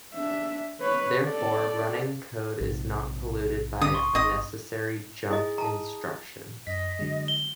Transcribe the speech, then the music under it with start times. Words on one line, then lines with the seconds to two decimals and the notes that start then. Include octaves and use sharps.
Therefore, running code is not polluted by unnecessary jump instructions.
0.14 D4 E5
0.80 B4 C#5
1.23 A4 D5
2.61 A#1 G#2 C3
3.81 D3 D#6
3.94 C6 C#6
4.15 G#1 D#5 D#6
5.31 E4 G#4 D#5
5.58 A5 A#5
6.67 F#2 D#5 B6
6.99 D3 F#3 G#3
7.28 G7